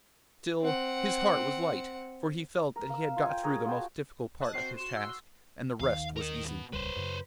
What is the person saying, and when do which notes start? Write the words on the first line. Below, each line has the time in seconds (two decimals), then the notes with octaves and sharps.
Still his heart was light, for he felt that he had got through the most difficult part of his task, and the rest was easy.
0.61 C4 F#5
2.76 A#4
2.90 F5 E6
3.17 F4 G#5
3.30 G5
3.44 G#4 A#4 C#5
3.66 F4 F#4 G5 A5
4.40 D#5 A5 F#6
4.54 C4 F#4 C5 C7
4.77 F#4 C6 E7
4.96 E6
5.80 D#2 D#3 F5
6.17 D#4 A#4
6.44 C2 B2
6.73 D#1 C#2 G3 B4 C5
6.96 F#2 C#3